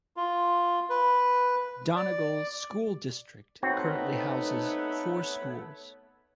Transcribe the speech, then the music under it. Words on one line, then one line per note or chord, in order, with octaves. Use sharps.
Donegal School District currently houses four schools.
F4
B4
D5
A3 B3 C4 D#4 F#4 C#5